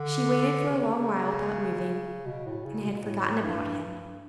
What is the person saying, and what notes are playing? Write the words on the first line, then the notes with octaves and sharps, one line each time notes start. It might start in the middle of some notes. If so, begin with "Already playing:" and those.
She waited for a long while without moving, and had forgotten about him.
Already playing: D3
C#3
B2
A2
C#3
B2
A2
G2
G2